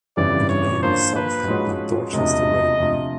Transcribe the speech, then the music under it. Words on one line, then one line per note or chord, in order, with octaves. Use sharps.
It lay on the Southampton and Dorchester Railway.
G1 F2 C#3 E3 G3 D5
C#5
G2 D3 F3 A#3 C5
B4
G#2 F3 G#3 C#4 F#4
E1 D2 C3 F3 D#5
D2 C3 F3